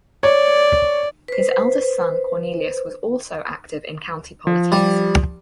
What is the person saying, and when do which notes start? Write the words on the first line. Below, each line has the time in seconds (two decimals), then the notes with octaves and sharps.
His eldest son Cornelius was also active in county politics.
0.23 C#5 D5
1.28 B4 C5
4.47 F3
4.72 G3